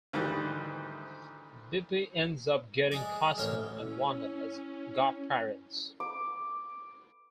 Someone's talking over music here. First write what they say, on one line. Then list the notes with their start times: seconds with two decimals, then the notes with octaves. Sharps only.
Bippy ends up getting Cosmo and Wanda as godparents.
0.13 D2 G#2 D#3 E3 G3
2.92 G#3 G#4 D5
3.38 A1 D2 A#4 C#5 C6
3.80 C#4 E4
6.00 D6